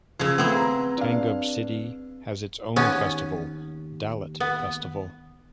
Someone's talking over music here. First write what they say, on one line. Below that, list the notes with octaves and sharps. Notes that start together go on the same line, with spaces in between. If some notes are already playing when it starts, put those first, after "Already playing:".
Tangub City has its own festival - Dalit Festival.
C#3 F3 E6 G#6
A3 B3 C4 G#4
A#5
D4 F5
D#2 B3 C#4
B3